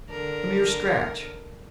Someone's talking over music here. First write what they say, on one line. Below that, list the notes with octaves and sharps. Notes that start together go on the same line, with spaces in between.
"A mere scratch."
D3 A#4